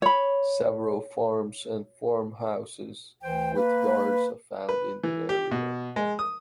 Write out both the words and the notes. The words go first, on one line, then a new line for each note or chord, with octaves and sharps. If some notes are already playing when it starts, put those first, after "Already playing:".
Several farms and farmhouses with yards are found in the area.
C#5 B5
D2 E3 C5 G5
A#3 B4
B4
E3
G4
B2
G#3
D#6